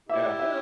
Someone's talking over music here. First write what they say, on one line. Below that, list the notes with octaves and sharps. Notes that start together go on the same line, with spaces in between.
Yeah, i
E4 G4 E5
D5
E5